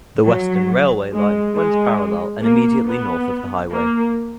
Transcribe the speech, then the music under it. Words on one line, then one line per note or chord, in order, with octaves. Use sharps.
The Western railway line runs parallel and immediately north of the highway.
F#3
G#3
G#3
A#3
B3
A#3